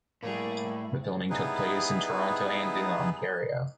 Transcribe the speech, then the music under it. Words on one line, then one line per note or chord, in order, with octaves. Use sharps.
The filming took place in Toronto and in Ontario.
A2 G3 A#3 E4 G#4
G3 B3 D#4 E4 G#4 B4